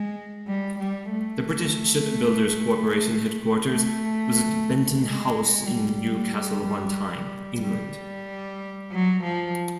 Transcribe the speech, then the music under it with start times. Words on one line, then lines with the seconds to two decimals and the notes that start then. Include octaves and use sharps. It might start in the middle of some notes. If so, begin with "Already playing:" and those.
The British Shipbuilders Corporation headquarters was at Benton House in Newcastle upon Tyne, England.
Already playing: G#3
0.47 G3
0.80 G3
1.12 A3
3.72 A3
5.02 G#3
5.66 G3
7.62 G3
8.92 F#3
9.24 F3